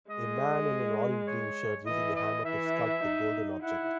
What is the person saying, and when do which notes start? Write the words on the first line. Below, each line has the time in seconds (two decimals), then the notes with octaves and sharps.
A man in an olive green shirt using a hammer to sculpt a golden object.
0.10 G#3 D#5
1.28 C#5
1.86 E3 D#5
2.16 D#5
2.45 E3 E5
3.04 D#4
3.63 E4 F#5